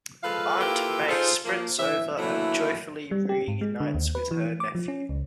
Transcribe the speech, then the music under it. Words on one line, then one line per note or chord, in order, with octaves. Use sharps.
Aunt May sprints over and joyfully reunites with her nephew.
F3 G#3 A4 B4 F5
A#3 E4 F4 G4 A4 B4
D#4 F4 G#4 A4 C5
F3 A#3
E3 E5
D3 E3 F#3 A3 A#3 E4
G3
G4
G#2
G#3
D3
D#2
B4
E3
D6
F3
C#4
C#2